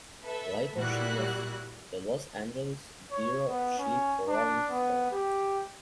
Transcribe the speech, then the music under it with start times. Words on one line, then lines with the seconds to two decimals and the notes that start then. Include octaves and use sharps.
Later she was the Los Angeles bureau chief for "Rolling Stone".
0.23 A4 B4 E5
0.76 A#2 G3 E4 F#4 F#6
3.11 C#5
3.48 B3
3.78 C#4
4.28 D4
4.71 B3
5.11 G4